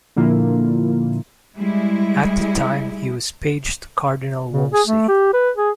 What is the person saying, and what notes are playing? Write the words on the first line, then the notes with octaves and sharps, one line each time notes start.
At the time he was page to Cardinal Wolsey.
A#2 D3 F3 A#3 E4 F4
G3 G#3 E4
C#3
G#4
A3
G4
B4
G#4